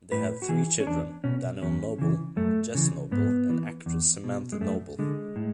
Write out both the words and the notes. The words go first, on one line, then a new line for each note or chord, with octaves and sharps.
They have three children: Daniel Noble, Jess Noble and actress Samantha Noble.
A2 B4
F#4
E3 G#4
C#4
E2 D4
B2 C#4
E2 C#4
C#3 E3
F#2 A3
C#3 E3
G#2 B3
E3
E2
B2
G#3
F#2 A3
D3 G#3
A2